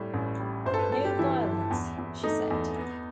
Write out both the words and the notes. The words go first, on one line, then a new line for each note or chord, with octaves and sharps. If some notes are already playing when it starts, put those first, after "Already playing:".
No violence, she said.
Already playing: A2 G3
A1
G3
G1 C5
A4
B4
G1 A4
G4
E3 E4
G1
E2
E2
A3 D#4
E2
B3